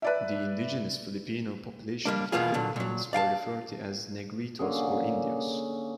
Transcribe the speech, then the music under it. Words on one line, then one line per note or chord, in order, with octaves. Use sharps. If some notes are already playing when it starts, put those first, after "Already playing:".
The indigenous Filipino population of the Philippines were referred to as Negritos or Indios.
B4 D5 E5
G3 G#3 A#3 D4
E2 B2 A#3 B3 F4 G#4
A#2 D3 F#3
A#2 F#3
D5 F5 G5 A5
D3 A#3 C#4 G#4